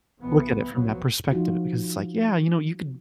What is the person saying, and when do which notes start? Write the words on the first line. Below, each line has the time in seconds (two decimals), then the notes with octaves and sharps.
look at it from that perspective because it's like, "Yeah, you know, you could
0.21 B1 E3 B3
0.71 C2 F3 F#3 B3
1.31 F3 D#4 F4 F#4